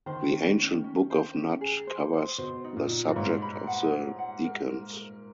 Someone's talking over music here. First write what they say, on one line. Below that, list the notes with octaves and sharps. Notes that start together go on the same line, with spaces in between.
The ancient Book of Nut, covers the subject of the decans.
D#3 C5
C#4
C#4
C#4
C5
C#4
G#4
C5
C5
B2 C5
D#4
A#2
D#4
G2
G#2 C#5
B5
F#5
C#5
F#5
A#4
A#4
A#4